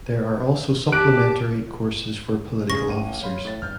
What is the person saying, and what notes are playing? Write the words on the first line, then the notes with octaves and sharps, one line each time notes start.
There are also supplementary courses for political officers.
G4 A5 D6 F#6 D7
E2 C#3 G#4 C#6 A#6
A1 A#3 D#7
F#3 F5 B5 C6
A2 A6
E2 G2 F6 G6